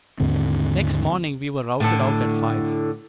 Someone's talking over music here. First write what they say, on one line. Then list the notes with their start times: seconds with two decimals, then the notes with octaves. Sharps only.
Next morning we were routed out at five.
0.20 D#2 G#2 D3 C4
1.80 A2 D3 A4